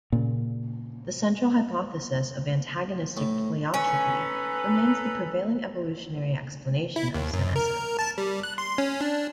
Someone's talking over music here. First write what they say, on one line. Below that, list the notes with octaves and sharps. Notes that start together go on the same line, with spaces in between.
The central hypothesis of antagonistic pleiotropy remains the prevailing evolutionary explanation of senescence.
A#2 C#3
A2
C#4 D#4 A4 B4
E4
D#2
F#2
A#4
A5
G3
F#6
C6
C#4
D4